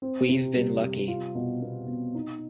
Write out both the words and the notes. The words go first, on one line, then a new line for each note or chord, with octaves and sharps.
We've been lucky.
C4
C3
G3
C3
F4
B2
B3
B2
D#4